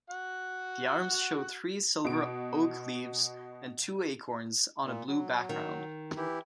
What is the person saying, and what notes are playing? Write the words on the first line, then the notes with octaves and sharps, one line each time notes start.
The arms show three silver oak leaves and two acorns on a blue background.
F#4 F#5
B2 D7
A#2
F#3
D#3
E3 E4 G4